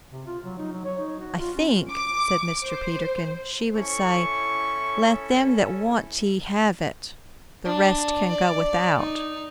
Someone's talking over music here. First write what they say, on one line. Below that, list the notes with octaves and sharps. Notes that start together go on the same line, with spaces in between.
"I think," said Mr. Peterkin, "she would say, let them that want tea have it; the rest can go without."
C3
F4
F#3
D#4
F#3
C#5
D#4
F#4
F4
C#4
D6
C5
C#4 E4 A4 C#6
D4
D5
D#4